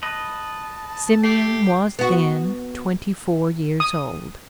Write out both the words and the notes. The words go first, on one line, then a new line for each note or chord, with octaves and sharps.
Simeon was then twenty-four years old.
B4 D#5 A5
A3 G4 C7
B3 F#4
D#6